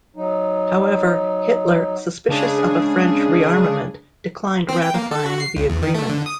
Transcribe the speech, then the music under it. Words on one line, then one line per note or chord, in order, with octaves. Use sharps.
However, Hitler, suspicious of a French rearmament, declined ratifying the agreement.
F#3 D#4
C#3 G#3 D4 G#4
C4
G5
A#3
A4
F#4
C7
C#2
E2
D#3
A3
D3
D#6